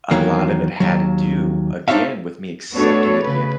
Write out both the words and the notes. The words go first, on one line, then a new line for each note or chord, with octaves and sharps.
a lot of it had to do again with me accepting that he had
E2 D#3 F#3 A#3
D#2 F#3
D4 D#4 C5 C#5 E5 F5
A3 B3 D4 F#4 A4 C#5
C#3 B4